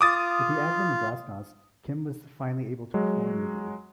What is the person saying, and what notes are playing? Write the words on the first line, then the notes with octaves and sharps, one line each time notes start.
With the advent of glasnost, Kim was finally able to perform legally.
F4 D6 D#6 A6
F#3 G#3